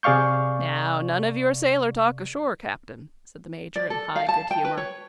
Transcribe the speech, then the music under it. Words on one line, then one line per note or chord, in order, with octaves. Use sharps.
"Now none of your sailor-talk ashore, Captain," said the Major, in high good humour.
C3 G#4 D5 F5 C#6 G6
D5
A4
F5
A5
G5
B4
C#5